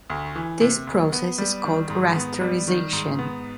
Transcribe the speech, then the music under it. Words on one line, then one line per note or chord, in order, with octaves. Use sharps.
This process is called rasterization.
D2
E3
C3
D2
B3
G3
D#3
G#2
B3
G3
D#3
G#2
B3